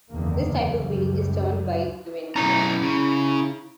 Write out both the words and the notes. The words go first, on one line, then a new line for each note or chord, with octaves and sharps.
This type of wheel is turned by wind.
F#1 E2 D3 D#3 A#3
C#2 F#2 G3
B1 C#4 E4 A#5
C#3